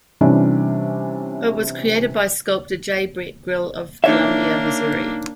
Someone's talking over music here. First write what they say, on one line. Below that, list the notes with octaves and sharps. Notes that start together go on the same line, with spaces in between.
It was created by sculptor J. Brett Grill of Columbia, Mo.
C3 E3 G3 C#4 D4
A#3 D4 D#4 C#5 E5